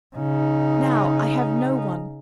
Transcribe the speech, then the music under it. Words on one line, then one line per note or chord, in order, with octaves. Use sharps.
Now I have no one.
C#3 D#4